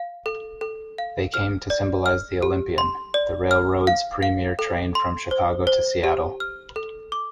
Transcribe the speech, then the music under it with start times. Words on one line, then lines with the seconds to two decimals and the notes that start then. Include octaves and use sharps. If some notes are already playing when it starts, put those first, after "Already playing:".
They came to symbolize the "Olympian", the railroad's premier train from Chicago to Seattle.
Already playing: F5
0.26 A4
0.61 A4
0.98 F5
1.34 F6
1.70 D5
2.06 F6
2.42 G4
2.78 C6
3.14 D5
3.51 F6
3.87 F5
4.23 F5
4.59 A4
4.95 C6
5.31 C5
5.67 C5
6.04 G4
6.40 F6
6.76 A4
7.12 D6